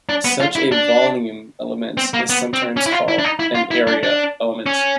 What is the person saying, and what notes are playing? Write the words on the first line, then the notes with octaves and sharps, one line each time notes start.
Such a volume element is sometimes called an "area element".
D4
B3
F4
E4
D4
C4
A#3
B3
C4
C#4
E4
F4
E4
D4
D#4
E4
F4
E4
D4
D4
C#4